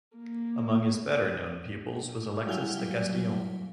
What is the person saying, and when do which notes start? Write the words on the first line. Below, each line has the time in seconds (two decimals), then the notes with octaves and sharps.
Among his better known pupils was Alexis de Castillon.
0.17 A#3
2.46 F#3 G3 E4 F5 G#5 G7